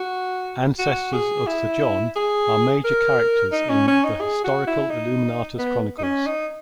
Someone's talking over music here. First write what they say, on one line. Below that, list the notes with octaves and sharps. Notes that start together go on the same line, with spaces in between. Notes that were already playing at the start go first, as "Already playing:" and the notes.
Ancestors of Sir John are major characters in The Historical Illuminatus Chronicles.
Already playing: F#4
F#4
G#4
E4
G#4
A#4
D#4
C#4
C#4
D#4
G#4
F#4
E4
D#4
B3
D#4
C#4
D#4